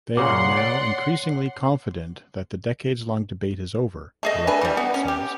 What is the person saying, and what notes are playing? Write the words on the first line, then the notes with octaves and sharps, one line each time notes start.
They are now increasingly "confident that the decades-long debate is over" a report says.
A#2 C#3 F#5 C6 D6
C#5 D5
A3 G#4 D#5
A3 D4 B4 G#5
E3 G3
B3
C#4
G4